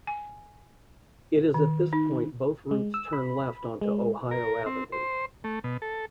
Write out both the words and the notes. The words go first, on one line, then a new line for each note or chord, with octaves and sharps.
It is at this point both routes turn left onto Ohio Avenue.
G#5
D#3
D#4
G#3
E6
B5
G#3
A#4
C4
C5
A3
B2
A4